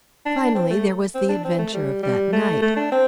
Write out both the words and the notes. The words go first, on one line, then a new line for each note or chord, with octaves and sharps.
Finally, there was the adventure of that night.
D4
D4
C4
A3
C4
D4
C4
A3
G3
G3
A3
A3
D4
C4